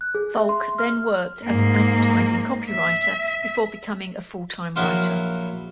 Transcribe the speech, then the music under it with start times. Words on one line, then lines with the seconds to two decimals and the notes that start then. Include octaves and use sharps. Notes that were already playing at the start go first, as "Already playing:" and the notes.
Volk then worked as an advertising copywriter before becoming a full-time writer.
0.01 F#6
0.15 G#4
0.36 E5
0.49 C6
0.78 F6
1.44 G#2 A#3
2.70 E5
4.76 A#1 F#3 E4 F#4 F5 C6